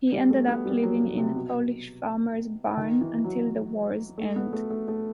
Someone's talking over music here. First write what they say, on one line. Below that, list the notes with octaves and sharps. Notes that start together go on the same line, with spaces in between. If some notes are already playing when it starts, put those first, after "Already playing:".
He ended up living in a Polish farmer's barn until the war's end.
G3
A3
B3
G3
F#3
F#3
C3
B2
D#3
E3
F#3
A3
B3
A3
A3
A3